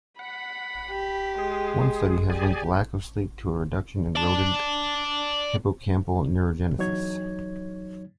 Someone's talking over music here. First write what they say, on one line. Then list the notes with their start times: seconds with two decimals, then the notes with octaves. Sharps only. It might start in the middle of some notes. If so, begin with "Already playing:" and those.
One study has linked lack of sleep to a reduction in rodent hippocampal neurogenesis.
0.19 F#5 B5
0.90 G4
1.38 G#3 G#4
2.30 G4 G#4 D5 G#5
4.16 D5 A5
6.78 E2 F#3 D#4 C#5 G#6